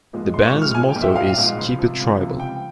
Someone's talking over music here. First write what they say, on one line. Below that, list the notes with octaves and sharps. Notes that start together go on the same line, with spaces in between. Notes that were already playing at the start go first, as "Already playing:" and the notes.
The band's motto is "Keep it Tribal".
G#2 F3 G#3
A#1 C6
C#6
G#2 F3 G#3
F6
A#1 G#5
G5
G#2 F3 G#3
E5
A#1 F5
G#2 F3 G#3
C#2
C3 F3
C#2
C3 F3
C#2 G5